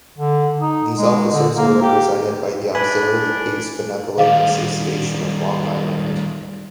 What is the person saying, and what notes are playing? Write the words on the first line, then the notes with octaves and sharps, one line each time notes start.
These officers are represented by the Auxiliary Police Benevolent Association of Long Island.
D3
D#4
G#3
D3
A#3
G4
D4 B4 G#5 B5
D#3 G3 G#4 D#5 F5